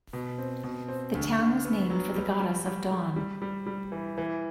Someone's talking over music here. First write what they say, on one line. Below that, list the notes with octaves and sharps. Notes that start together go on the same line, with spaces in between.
The town was named for the goddess of dawn.
B2
C4
B2
C4
D2
D3
B3
F#3
G3
G3
G3
G3
G3
G3
G3
E3
E3